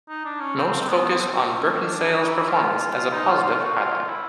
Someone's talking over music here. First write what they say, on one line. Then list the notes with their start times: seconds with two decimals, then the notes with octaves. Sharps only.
Most focused on Beckinsale's performance as a positive highlight.
0.09 D#4
0.25 D4
0.41 C#4
0.57 C4
0.82 C4
0.89 B3
1.21 C4
1.47 C4
1.53 C#4
1.85 D4
2.06 D#4
2.28 E4
2.48 F4
3.12 D#4
3.29 F4
3.44 F4
3.60 F#4
3.76 F4
4.08 E4